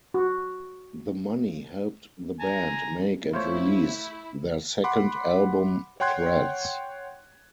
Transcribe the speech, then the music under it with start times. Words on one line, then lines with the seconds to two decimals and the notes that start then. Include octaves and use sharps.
The money helped the band make and release their second album "Threads".
0.14 F#4
2.40 G#5 A#5
3.33 A3 E4 F4 C5 C#5
4.84 F#5 B5 C6 D6
6.00 C#5 F#5 G5 C6 F#6 G#6